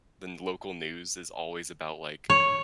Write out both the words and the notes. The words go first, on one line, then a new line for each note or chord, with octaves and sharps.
then local news is always about, like,
C#5